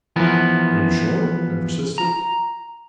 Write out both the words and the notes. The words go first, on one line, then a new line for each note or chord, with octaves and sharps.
"Are you sure?" I persisted.
E3 F3 B3 A#4
A#5